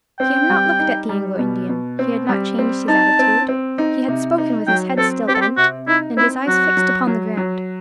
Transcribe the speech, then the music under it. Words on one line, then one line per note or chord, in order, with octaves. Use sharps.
He had not looked at the Anglo-Indian; he had not changed his attitude; he had spoken with his head still bent, and his eyes fixed upon the ground.
C4 G5
G3
D#4
G3
B2
B2
C4
G3
C4
D#4 A5
C4
C4
D#4
C3
D#4
F#3 G5
C4 A4
C4 G4
A4
G4
C3 F#4
D#4 E4
C4 E4
F#3 F#4
F#3
F#3
F#3